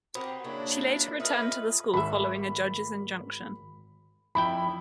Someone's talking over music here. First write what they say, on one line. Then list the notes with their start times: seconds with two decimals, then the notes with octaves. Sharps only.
She later returned to the school following a judge's injunction.
0.15 C4 F#4 G4 A#4 C5 F#5 B5 D#6
0.44 C#3 F#3 A#3 D4 E4
1.20 F4 A4 B4 C#5 D#5 E5 D#6 F6
1.94 G#1 E5 B5
4.35 F2 E4 G5 B5